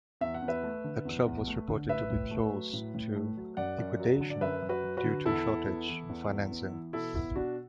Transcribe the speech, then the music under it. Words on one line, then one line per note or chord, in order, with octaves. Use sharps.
The club was reported to be close to liquidation due to shortage of financing.
E2 E5
F#5
E2
B4 E5
A3
D3
E2
E2
A3
D3
A2 B4 E5
A2
A3
F#3
A2
A2
A3
F#3
F#2 D5 F#5
F#2
F#3
D3
D5
F#2 B4 E5
F#2
F#4 B4
F#3
F#4 B4
D3
E2 E4 A4
E2
B3
E3
E2
E2
B3
E3
B2 E4 A4
B3 E4
B2 D4 F#4